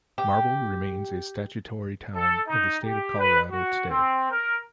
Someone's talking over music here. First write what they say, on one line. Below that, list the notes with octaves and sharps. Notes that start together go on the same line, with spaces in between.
Marble remains a statutory town of the State of Colorado today.
G4
A4
D#4
G4
B4
F#4
C4
A#4